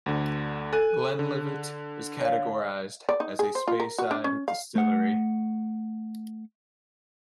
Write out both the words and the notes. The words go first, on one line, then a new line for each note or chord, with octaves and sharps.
Glenlivet is categorised as a Speyside distillery.
D2 D3
A4 G#5 F#6 D#7
D3
C#5 F5
D5
D#4
G#4
C5
F4
A#4
F#4
D4
C#4
F5
A3 F#5